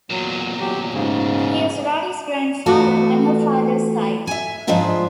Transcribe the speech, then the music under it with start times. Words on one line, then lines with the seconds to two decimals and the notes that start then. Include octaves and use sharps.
He is Roddy's grandfather on her fathers side.
0.10 E2 A#2 F#3
0.60 F#3 G4
0.94 G#2 C#3
2.66 E3 A3 F4 F#4
4.27 E5 G#5
4.67 G#2 F3 G#3 D4 F4 E5